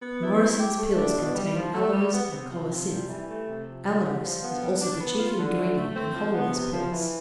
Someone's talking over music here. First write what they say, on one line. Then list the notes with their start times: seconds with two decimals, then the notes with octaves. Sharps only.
Morrison's pills contain aloes and colocynth; aloes is also the chief ingredient in Holloway's pills.
0.02 B3
0.21 E4
0.40 C4
0.60 G4
0.78 A3
0.97 D4
1.17 B2
1.35 G3
1.56 F3
1.74 A3
1.93 G3
2.13 B3
2.32 C3
2.52 F3
2.70 C3
2.89 G3
3.09 E3
3.28 A3
3.47 C3
3.66 F3
3.85 D3
4.04 G3
4.24 F3
4.43 B3
4.62 G3
4.81 D4
5.00 B3
5.19 F4
5.39 D3
5.57 A3
5.76 A3
5.96 C4
6.15 F3
6.34 B3
6.53 C3
6.72 F3
6.92 E3